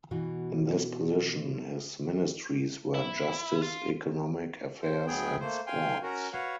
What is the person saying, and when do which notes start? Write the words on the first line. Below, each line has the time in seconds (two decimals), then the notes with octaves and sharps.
In this position his Ministries were Justice, Economic Affairs and Sports.
0.11 B2 E3 F#4
2.94 E4
3.62 F4
4.82 C5
5.07 D2 F#3 B3 G#4 G5
5.40 A3 A#3 C5
5.67 F5 G5 G#5 C6
6.03 C#4 F#4 A#4
6.33 F#4 B4 C#5 F5 F#5